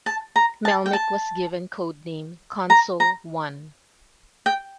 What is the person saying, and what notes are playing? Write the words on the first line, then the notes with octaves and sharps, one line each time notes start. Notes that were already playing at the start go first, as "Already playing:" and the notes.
Melnik was given code name 'Consul I'.
A5
A#5
A5
G5
A5
A#5
A#5
G5